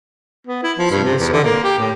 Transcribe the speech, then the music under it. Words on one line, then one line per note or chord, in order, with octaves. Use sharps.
Sue was silent.
B3
E4
F3
G2
C3
E2
D3
A#3
G4
A2